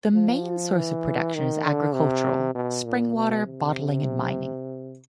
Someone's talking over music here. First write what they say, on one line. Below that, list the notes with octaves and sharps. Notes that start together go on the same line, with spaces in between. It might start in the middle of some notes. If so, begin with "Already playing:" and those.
The main source of production is agricultural, spring water bottling and mining.
F3
E3
D#3
D3
C3
B2
A#2
B2
C3